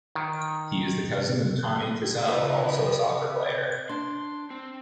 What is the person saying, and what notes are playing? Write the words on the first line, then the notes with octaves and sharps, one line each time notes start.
He is the cousin of Tonnie Cusell, also a soccer player.
D#3
D#4 F4 B4 C5 E5
E4 G4
C3
D4 C6
C4